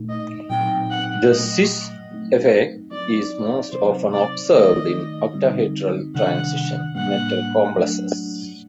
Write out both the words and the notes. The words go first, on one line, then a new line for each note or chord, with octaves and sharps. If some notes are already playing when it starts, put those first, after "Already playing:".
The cis effect is most often observed in octahedral transition metal complexes.
Already playing: A#2 A3 D#4
D#5
A#2 F#3 C4 D#4 G5
F#5
A#2 F#3 A3 D#5
F#3 A3 C4 D#4
F#3 C4 D#4 D5
C3 F#3 C4 D#4 C5
D5
D#3 A3 D#4 D#5
D3 G3 C4 D#4
C3 D#3 G3 D4 F#5
A2 G3 A#3 D4 F#5
F#3 A3 D4